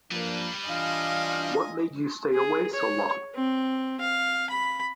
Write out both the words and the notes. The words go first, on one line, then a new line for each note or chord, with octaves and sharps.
What made you stay away so long?
F3 G3 A#3 D4 B4
E3 D4 F4 D#5 F5 G#5
G#4
C#5
C4
F5
B5